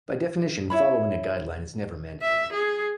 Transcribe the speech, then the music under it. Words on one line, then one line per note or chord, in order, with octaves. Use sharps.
By definition, following a guideline is never mandatory.
E4 C#5 B5
E5
G#4